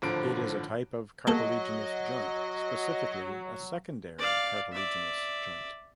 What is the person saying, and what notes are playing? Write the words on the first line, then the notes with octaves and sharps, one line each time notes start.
It is a type of cartilaginous joint, specifically a secondary cartilaginous joint.
G#1 A2 D3 F3 D7
F#3 A#3 G#4 A4 D#5
D5 F5
D5 E5